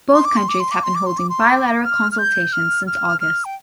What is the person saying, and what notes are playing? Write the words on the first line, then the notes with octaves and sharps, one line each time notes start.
Both countries have been holding bilateral consultations since August.
C6
D6
C6
D6
C6
D6
C6
D6
C6
D6
C6
D6
F6
F6
G6
F6
F6
F6
G5